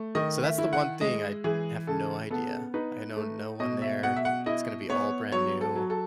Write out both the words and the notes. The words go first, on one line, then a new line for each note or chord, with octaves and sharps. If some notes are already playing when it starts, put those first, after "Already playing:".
So, that's the one thing I have no idea. I know no one there, it's gonna be all brand new.
Already playing: A3
D#3 D#5
E5
E4
F#5
G#3 D#5
E3 G#4
C#3 A4
B3 A4
D#4 B4
A3
B2 D#5
E5
B2 F#5
E5
F#5
E4 D#5
B3 C#5
F#3 C#5
A4
F#3
A4